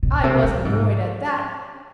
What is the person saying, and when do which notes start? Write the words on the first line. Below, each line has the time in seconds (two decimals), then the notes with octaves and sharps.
I was annoyed at that.
0.03 B2
0.24 C3
0.44 A2
0.65 G#2